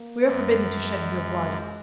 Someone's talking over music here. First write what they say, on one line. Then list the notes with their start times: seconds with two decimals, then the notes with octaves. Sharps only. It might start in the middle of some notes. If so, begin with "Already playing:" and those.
"We are forbidden to shed your blood."
Already playing: A#3
0.23 F#2
0.73 G#3